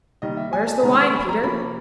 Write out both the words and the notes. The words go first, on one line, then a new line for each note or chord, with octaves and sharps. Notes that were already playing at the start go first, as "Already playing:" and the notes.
"Where is the wine, Peter?"
D#3 G3 A#3 D#5
E5
G#5
A5
D#3 G#3 C#4 A#5
C6
C#6
B5
A#5
C3 F3 A#3 C#4 B5